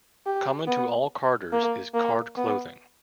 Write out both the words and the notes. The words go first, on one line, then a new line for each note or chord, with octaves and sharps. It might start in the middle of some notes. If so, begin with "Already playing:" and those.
Common to all carders is card clothing.
G4
B3
A#3
A#3
B3